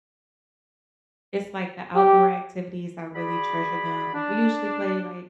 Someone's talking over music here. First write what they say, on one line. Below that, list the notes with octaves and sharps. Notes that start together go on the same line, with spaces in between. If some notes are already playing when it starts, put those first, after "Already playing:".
it's like, the outdoor activities, I really treasure them, we usually play, like,
G4
F#4 G#4 D5 B5
D4